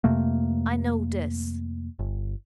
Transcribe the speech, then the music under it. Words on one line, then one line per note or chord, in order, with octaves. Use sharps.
I know this.
F2 C3 A3 A#3
G1